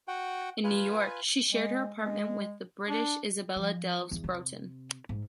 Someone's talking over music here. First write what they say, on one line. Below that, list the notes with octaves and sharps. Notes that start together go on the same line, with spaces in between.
In New York, she shared her apartment with the British Isabella Delves Broughton.
F#4 F#5 G5
F4 B4 G#5
G#3
G#3
D4
F3
E2
C3
G#2